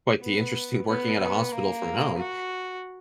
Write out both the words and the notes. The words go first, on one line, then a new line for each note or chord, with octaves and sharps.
quite the interesting working at a hospital, from home.
B3
B3
B3
A#3
F#4